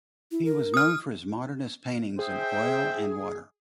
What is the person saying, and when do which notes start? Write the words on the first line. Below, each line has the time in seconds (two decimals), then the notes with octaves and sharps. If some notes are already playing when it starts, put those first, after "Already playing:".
He was known for his modernist paintings in oil and water.
0.31 E4
0.45 A#4
0.74 D#6 F6
2.19 G#4 C5 E5 G5